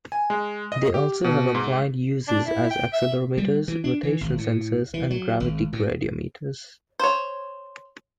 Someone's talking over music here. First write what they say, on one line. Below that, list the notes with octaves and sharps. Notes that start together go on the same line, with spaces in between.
They also have applied uses as accelerometers, rotation sensors, and gravity gradiometers.
G#5
G#3
D#5
G4
B2
G#2
D4
E4
G5
E5
G3
E3
D4
E3
G#1
A2
E3
F#3
G#1
A2
C5 C#5